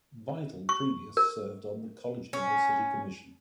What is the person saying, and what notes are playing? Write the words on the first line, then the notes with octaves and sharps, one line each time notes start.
Vital previous served on the Collegedale city commission.
C#6
A#4
C#4